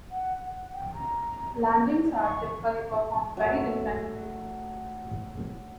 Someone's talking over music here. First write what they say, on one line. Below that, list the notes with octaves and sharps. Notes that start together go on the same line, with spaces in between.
Landings are typically performed very differently.
F#5
F#5
G5
A#5
C#6
F#3 A3